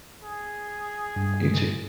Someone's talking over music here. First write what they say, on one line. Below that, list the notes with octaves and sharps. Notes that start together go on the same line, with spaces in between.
You too.
G#4
G2